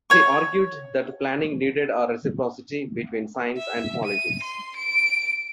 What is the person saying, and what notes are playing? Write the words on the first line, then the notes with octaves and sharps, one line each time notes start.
He argued that planning needed a reciprocity between science and politics.
C#5 C#6
E5
D#7
C6
D7